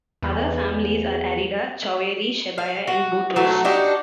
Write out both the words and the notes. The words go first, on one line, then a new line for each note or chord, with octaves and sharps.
Other families are Arida, Choueiri, Shebaya and Boutros.
E2
F5
F#4
F#3 A3
D4 D#4 F#4 G4